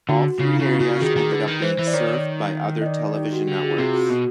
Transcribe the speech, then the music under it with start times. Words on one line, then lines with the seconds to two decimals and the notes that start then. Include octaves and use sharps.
All three areas ended up being served by other television networks.
0.09 D3 F#4
0.39 C#3 F4
0.55 E4
0.60 C#3
0.65 F#4
0.71 F4
0.80 C#3
0.85 F#4
1.01 D#3 G#4
1.16 D#3
1.32 D3 B4
1.47 D#3
1.62 E3 C5
1.79 E3
1.87 D5
1.93 D#3 C#5
2.81 D#5
2.86 D5
3.17 G4
3.33 F#4
3.47 D3 G4
3.63 G#4
3.71 F4
3.78 C3 F#4
3.94 F#4
4.09 B2